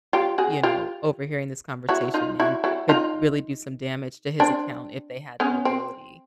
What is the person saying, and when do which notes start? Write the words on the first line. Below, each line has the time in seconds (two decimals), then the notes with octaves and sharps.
you know, overhearing this conversation and could really do some damage to his account if they had the ability
0.13 F4 G4
0.38 F#4 G#4
0.63 F4 G4
1.89 E4 F#4
2.14 D#4 F4
2.40 E4 F#4
2.64 E4 F#4
2.89 D#4 F4
4.40 C4 D4
5.40 B3 C#4
5.65 C4